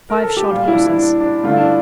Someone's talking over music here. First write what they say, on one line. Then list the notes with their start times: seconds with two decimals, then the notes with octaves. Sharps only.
Five shod horses.
0.10 A#4
0.23 A4
0.37 G4
0.49 A#2 G3 F4
0.68 E4
0.74 D4
0.86 E4
0.97 D4
1.20 D4
1.44 G2 D3 A3 F4
1.51 E4
1.60 D4